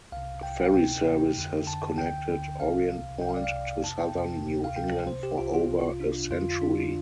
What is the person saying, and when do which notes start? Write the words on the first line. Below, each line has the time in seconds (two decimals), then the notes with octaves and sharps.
Ferry Service has connected Orient Point to southern New England for over a century.
0.12 C2 C3 F5
0.43 C3 G5
0.48 C2
0.65 F5
0.74 D2 C3 G5
1.06 D2 C3
1.36 F2 D3
1.67 F2 D3 A5
1.98 D2 D3 G5
2.30 D2 D3
2.60 C2 C3 F5
2.91 C2 C3
3.22 C2 C3 G5
3.29 F5
3.36 D5
3.44 F5
3.52 C2 C3
3.84 F2 C3 A5
4.00 G5
4.15 F2 C3
4.46 D2 C3
4.64 F5
4.76 D2 C3 G5
4.92 A4
5.07 C2 C3 C5
5.23 G4
5.38 C2 C3 F4
5.54 F4
5.69 C2 C3
6.00 C2 C3 D4
6.31 F2 D3 F4
6.50 F4
6.62 F2 D3 D4